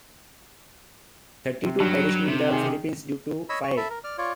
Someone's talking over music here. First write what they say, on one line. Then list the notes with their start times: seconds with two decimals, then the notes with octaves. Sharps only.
Thirty-two perished in the Philippines due to Faye.
1.66 C3
1.80 G2 F#3
2.27 C3
2.48 D#3 G#4
3.49 C#5 D#5 B5 E6
3.63 C#6
3.77 A4 E5 B5
3.90 A#4
4.04 D5 F6
4.18 F4 C#5 D5